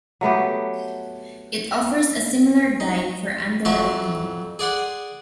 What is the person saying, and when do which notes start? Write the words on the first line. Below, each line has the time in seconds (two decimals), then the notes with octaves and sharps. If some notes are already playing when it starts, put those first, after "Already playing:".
It offers a similar guide for underwriting.
0.21 F#3 A3 B3 G4
2.80 D#4
3.65 F2 F#3 E5 A5 C6 C#6
4.59 G#4 D5 F#5 C6